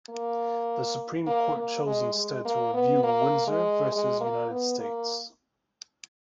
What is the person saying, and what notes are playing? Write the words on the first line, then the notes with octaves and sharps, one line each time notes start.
The Supreme Court chose instead to review "Windsor versus United States".
A#3
A#3
A#3
G#3
G#3
A#3
B3
A#3
G#3
G#3
A#3
B3
A#3